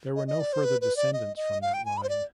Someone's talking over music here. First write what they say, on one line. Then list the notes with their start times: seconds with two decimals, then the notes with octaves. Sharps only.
There were no further descendants from that line.
0.16 D#5
0.28 D#5
0.40 D5
0.53 C5
0.64 B4
0.81 B4
0.96 D5
1.13 D#5
1.36 D#5
1.62 F5
1.74 G5
1.85 G#5
1.97 B5
2.03 C5
2.09 D5